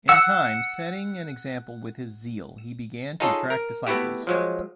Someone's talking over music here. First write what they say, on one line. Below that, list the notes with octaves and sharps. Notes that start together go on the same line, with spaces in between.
In time, setting an example with his zeal, he began to attract disciples.
F#5 E6
D#4 F4 G#4 A4 C#5 D#5
A#4
A3 B3 E4 F#4 G4
F3 F#3 G#3